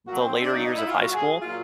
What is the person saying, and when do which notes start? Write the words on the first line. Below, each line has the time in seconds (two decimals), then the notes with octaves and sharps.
the later years of high school,
0.07 A#2 F#3 F#4
0.19 C4
0.42 D4
0.52 A#2 F#3 D#4
0.64 D#4
0.75 E4
0.87 F4
0.97 A#2 F#3 F#4
1.13 G#4
1.42 A#2 F#3 F4